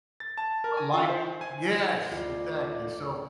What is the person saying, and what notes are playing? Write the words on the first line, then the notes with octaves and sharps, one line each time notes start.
l life Yes, exactly. So,
A6
A5
A#4
G#5
F4
C5
G#5
D2 F4 D5